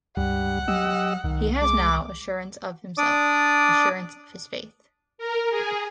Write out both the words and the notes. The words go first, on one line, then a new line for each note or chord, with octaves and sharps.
He has now assurance of himself, assurance of his faith.
C#2 G2 G3 F#5
F#3 G4 D#5 E6
C2 D#3
G#3 D6
D4 D5 D6 D#6
A#4
G#4